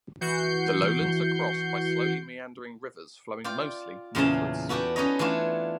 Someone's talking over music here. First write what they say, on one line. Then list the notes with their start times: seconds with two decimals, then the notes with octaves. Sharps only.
The lowlands are crossed by slowly meandering rivers flowing mostly northwards.
0.21 E3 F#4 G6 C7 C#7
3.44 F4 D5 G5
4.15 E2 A#2 C#3 C#4 C#5 A5
4.69 B3 F#4 A4 D5 G5
4.96 C#4 D#4 B4 C#5 D#5
5.19 E3 A3 D4 F4 C#5